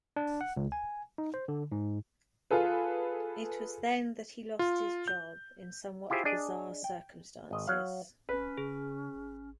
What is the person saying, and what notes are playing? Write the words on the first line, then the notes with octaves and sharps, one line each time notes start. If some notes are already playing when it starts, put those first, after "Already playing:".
It was then that he lost his job in somewhat bizarre circumstances.
D4
F#5
C#2
G#5
D#4
C5
D3
G#2
F4 G#4 A4 B4
F4
G6
E4 F4 G4 G#4 C5 E5
D4 G#4 D5 D#5
G5
G#1 D#5
F#3 F5
A1 C#4 B4
C#3 G#4
G#1